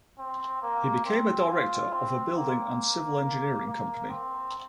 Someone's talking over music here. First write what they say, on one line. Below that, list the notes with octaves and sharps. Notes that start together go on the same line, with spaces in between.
He became a director of a building and civil engineering company.
C4
A#3
C4
F4
C4
A#3
A#3
C4